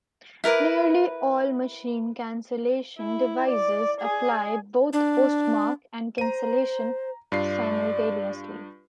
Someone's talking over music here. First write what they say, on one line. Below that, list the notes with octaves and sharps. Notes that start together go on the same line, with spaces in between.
Nearly all machine-cancellation devices apply both postmark and cancellation simultaneously.
E4 A#4 B4 D6
E4
D5
G#4
D4
C5 A#5 D#7
G2 F4 D5 C7